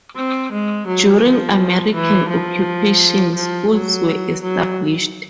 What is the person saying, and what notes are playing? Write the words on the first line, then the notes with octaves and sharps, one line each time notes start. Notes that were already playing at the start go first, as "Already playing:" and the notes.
During American occupation schools were established.
C4
G#3
F#3
F3
E3
F3
F3
F#3
F#3